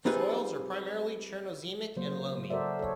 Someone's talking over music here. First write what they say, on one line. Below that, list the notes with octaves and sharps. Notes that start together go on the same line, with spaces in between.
Soils are primarily Chernozemic and loamy.
G3 C4 D#4 F4 G#4 B4
C#3 F#3 A#3 C5
F#4 A4 A#4 C5 D5 E5
A4 C#5